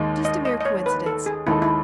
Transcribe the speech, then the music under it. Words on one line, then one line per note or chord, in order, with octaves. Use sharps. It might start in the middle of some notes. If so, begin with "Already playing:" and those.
Just a mere coincidence.
Already playing: D#2 D#3 G#3 D#4
D#5
D#5
D#5
C#5
B4
A4
G#4
D#2 D#3 G#3 D#4 E4 A4
E4